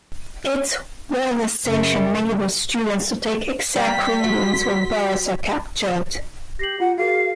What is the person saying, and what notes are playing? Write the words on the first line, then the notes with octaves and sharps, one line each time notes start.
Its weather station enables students to take exact readings when birds are captured.
F#2 C#3 F#3
G3 C6 B6
F#3
G4 A#6 C7 F#7
F4 F#5
F#4 G#4 A#4 F5